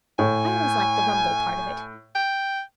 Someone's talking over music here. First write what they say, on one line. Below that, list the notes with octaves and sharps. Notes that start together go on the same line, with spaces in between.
I always like the rumble part of it.
A2 G#5
G5